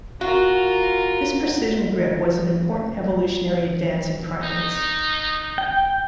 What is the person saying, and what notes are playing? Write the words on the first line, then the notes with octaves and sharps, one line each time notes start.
This precision grip was an important evolutionary advance in primates.
F4 F#4 A#4
D#4
G5